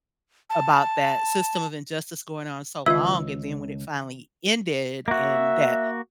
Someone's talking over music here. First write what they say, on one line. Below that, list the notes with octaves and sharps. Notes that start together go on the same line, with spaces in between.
about that system of injustice going on so long and then when it finally ended and that,
A5
C#2 D#3 F4 D#5 E5 E6
A#3 F#4 E5